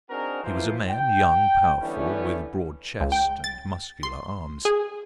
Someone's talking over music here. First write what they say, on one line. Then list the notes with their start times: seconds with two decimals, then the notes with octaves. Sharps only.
He was a man young, powerful, with broad chest and muscular arms.
0.10 C4 D4 D#4 F#4 G#4 A#4
0.44 E3 F3 A#3 E4 F4 C5
0.89 G5
1.81 D3 E3 G3 A3 B3 C#4
3.00 C#2
3.12 G5
3.44 A6
4.03 C6
4.65 G#4